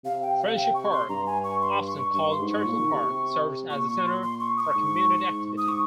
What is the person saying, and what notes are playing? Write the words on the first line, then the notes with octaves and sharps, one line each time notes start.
Friendship Park, often called Turtle Park, serves as a center for community activity.
C3 F5
G5
F5
G5
C#6
C6
G2 A#5
G#5
C#6
C6
C#6
G2 C#6
C6
G#2
C#6
A#2
D#3
C3
C3
A#2 C#6
C#6
C6
C6
C#6
D#6
C#6
G#2
G#2
D#6
C#6